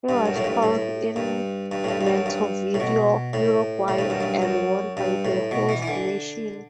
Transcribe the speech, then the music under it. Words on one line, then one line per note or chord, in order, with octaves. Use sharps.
It was held in Montevideo, Uruguay and won by the host nation.
G2
F#2
A2
G2
A2
G2
G2
A2
G2
G2
F#2
G2
A2
B2
A2
A2
G2
F#2
G2
F#2
G2
A2
B2
E3
E3
D3